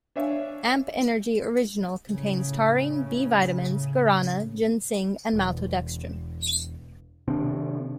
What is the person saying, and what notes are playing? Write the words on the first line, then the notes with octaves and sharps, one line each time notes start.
Amp Energy Original contains taurine, B-vitamins, guarana, ginseng and maltodextrin.
D4 C#5 E5 F5 G#5
A2 C#3
E1
C3 D#3 C4 D4